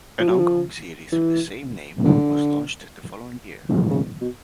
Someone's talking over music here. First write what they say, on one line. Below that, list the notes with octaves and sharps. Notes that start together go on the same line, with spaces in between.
An ongoing series with the same name was launched the following year.
F3
F#3
F3
E3
D3
C#3
B2